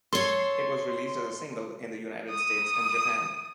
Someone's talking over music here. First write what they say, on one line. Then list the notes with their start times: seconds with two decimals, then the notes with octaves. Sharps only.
It was released as a single in the United States and Japan.
0.13 A4 C#5 C6
2.30 D#6